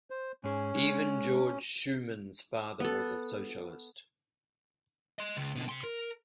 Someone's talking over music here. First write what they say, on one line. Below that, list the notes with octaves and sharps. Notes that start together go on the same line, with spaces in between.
Even Georg Schumann's father was a socialist.
C5
G#2 C#4 G#4
G#3
B3 A4
D#5 C6
C#2
B2 D3
C3 C6
A#4